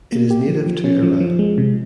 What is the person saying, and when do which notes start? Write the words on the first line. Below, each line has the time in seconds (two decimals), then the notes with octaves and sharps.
It is native to Iran.
0.12 A#3
0.31 G4
0.48 F3
0.66 F3
0.84 C#4
1.03 F3
1.20 F3
1.39 G#3
1.58 C3